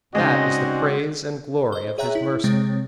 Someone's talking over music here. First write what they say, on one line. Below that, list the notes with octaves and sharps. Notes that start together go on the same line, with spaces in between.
That is the praise and glory of His mercy.
C#3 G#3 C4 D4 D#4 F#4 D#5
C5 D#5
G#4 C#5 E5 G5 A#5 F#6
E4
C3 G#3 C4 C#5 A6